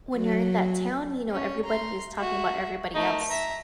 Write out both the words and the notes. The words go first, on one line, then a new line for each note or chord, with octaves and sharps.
When you're in that town you know everybody is talking about everybody else.
F#3
C#4
A#5 C6
F#4 E5
A3 D#4 A#4
E5 A#5